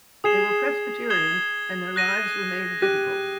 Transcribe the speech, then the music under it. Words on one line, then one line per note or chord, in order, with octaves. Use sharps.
They were Presbyterian and their lives were made difficult.
G#4 D#6 G#6 C7 E7 G7
D#6 G#6 C7 E7 G7
F#6 A#6 D#7
G4 F#6 A#6 D#7